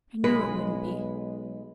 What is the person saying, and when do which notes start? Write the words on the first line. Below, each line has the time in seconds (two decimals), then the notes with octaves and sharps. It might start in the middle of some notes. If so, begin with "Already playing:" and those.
'I knew it wouldn't be.
0.24 B1 G#3 B4